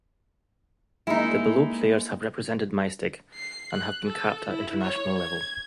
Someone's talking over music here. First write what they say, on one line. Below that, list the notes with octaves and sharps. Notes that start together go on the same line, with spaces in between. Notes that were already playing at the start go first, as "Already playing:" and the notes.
The below players have represented Maesteg and have been capped at international level.
G#3 A#3 D#4 E4
C7
F#6
A4
E4
C#5
G#6